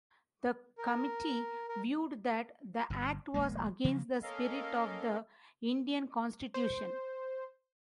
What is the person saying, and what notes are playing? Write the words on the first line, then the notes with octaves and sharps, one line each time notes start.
The committee viewed that the act was against the spirit of the Indian Constitution.
A#4
A#4
G1 G2
D#1 A#1 G#3 A#3
C#3 F3 F#3
A#3 C#4 A4 A#4 D#5 F5
C5